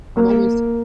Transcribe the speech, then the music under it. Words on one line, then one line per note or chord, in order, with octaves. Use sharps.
I'm almost
A#3